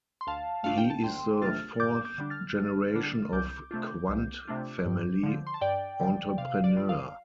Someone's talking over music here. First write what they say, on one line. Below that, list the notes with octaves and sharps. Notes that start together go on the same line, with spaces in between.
He is the fourth generation of Quandt family entrepreneurs.
C6
D2 F5 A5
C3 A3 D4 F4 F5
G5
A5
D2 G5 C6
C3 A3 D4 F4 F6 A6
G2 D6 G6
D6 G6
D3 G3 D4
F6 A6
G2
D3 G3 D4
C2 D6 G6
C3 A3 D4 F4
C2
C3 A3 D4 F4
G2
D3 F3
C6
A5
G2 D5 G5
D3 F3
C3 F5
D5
G3 F4
F5